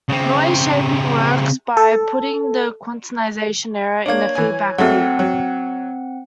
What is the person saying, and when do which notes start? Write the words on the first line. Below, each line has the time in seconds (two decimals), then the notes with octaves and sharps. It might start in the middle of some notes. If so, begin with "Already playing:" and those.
Noise shaping works by putting the quantization error in a feedback loop.
0.09 C#3 C4
1.77 A4
4.06 A#3 D4 C#5 G#6
4.35 E3 G#5
4.78 F#3 G#3 A3 C4 F#5
5.19 F#3